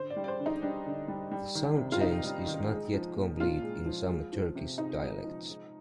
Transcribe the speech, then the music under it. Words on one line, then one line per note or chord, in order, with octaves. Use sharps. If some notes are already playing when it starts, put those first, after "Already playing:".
The sound change is not yet complete in some Turkish dialects.
Already playing: D3 C5
D5
G3
D5
C5
D3
D#4
G3 D4
D3
G3
G3
D#3
C3
F4
C3 D#4
G3
D#3
G#3
F3
A#2
A#2 F4
G#3
F3
G#3
F3
C3
C3 D#4
G#3
F3
G#3